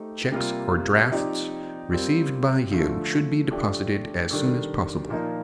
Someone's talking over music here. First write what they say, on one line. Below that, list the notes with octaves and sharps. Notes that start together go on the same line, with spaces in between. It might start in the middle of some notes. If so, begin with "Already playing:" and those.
Checks or drafts received by you should be deposited as soon as possible.
Already playing: A3 D#4 G4 C5
C3 G3 A#3 F4
F3 C4 D#4 G4 D5
G3 C4 F4 A#4
D3 F3 A3
F3 A3 D4 G4
D#3 G3 D4 A4
A#2 F3 A#3 D#4 A#4